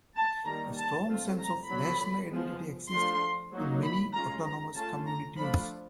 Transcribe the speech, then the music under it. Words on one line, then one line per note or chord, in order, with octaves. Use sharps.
A strong sense of national identity exists in many autonomous communities.
A5
D#3 G3 A#3 A#5
A5
A3 C4 F4
A#5
D3 F#3 B3 B5
F3 G#3 B3
F3 A3 D4 F4 C6
F#3 A#3 D#4
B5
G#3 C#4 F4 A#5
A#5
A3 C#4 F4 A5
A#5
F3 A3 D4 F4 B5